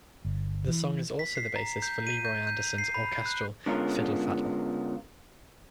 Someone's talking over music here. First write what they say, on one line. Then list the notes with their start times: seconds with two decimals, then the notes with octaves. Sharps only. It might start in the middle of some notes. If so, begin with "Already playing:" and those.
The song is also the basis for Leroy Anderson's orchestral "Fiddle Faddle".
0.25 G1
0.68 E3
1.19 B6
1.35 C7
1.56 A#5
1.82 G6
2.07 D#7
2.25 G6
2.47 G6
2.78 C7
2.94 B5
3.26 F#6
3.66 D3 G#3 B3 C#4 F4 A#4